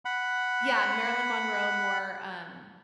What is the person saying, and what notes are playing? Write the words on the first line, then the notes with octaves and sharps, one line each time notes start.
yeah, Marilyn Monroe more, um,
F#5 B5